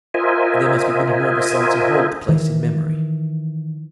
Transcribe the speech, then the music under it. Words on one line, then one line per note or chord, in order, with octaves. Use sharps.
And there must be many more besides who hold the place in memory.
F4 A#4 C5 D#5 E5 G#5
D#3 E3